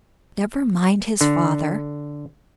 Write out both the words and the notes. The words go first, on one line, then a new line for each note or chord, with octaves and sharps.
"Never mind his father."
D3